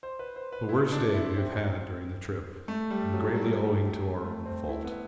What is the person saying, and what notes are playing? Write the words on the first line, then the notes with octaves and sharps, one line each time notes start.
The worst day we have had during the trip and greatly owing to our own fault.
C5
B4
C5
B4
E4
D4
E4
C4
A3
G3
F#3
G3
A3
C4
E4
B3